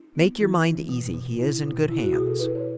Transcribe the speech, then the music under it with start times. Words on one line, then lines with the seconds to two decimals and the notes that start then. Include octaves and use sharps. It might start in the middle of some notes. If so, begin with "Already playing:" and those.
"Make your mind easy, he is in good hands."
Already playing: D#4
0.15 B3
0.40 E3 E4
0.65 E3
0.89 B2
1.15 B2
1.39 E4
1.64 B2
1.89 E4
2.01 F#4
2.13 B2 G#4
2.26 A4
2.38 E4 B4
2.55 C#5